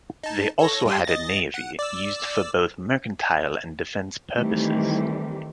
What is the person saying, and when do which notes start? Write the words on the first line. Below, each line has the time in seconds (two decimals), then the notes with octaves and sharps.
They also had a navy, used for both mercantile and defence purposes.
0.23 D#4 A5
0.59 A4 C#5 A#6
0.85 G2 G4 C6
1.05 D#5 A6 A#6
1.54 F#5
1.79 D5 E6
4.34 D#3 E3 G3 A3 C4 G4